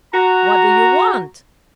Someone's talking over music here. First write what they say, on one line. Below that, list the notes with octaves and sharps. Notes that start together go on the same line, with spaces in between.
"What do you want?"
F#4 A#5